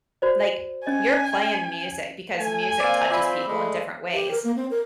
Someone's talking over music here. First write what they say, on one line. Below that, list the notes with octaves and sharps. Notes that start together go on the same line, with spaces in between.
like, you're playing music, because music touches people in different ways.
F#4 C5 D5
C#4 D#5 G#5
A3 G#5
A#3 C4 D5 F5
F4 D5 E5 B5
G#3 A3
G4
A#4
A#3
C4
A#4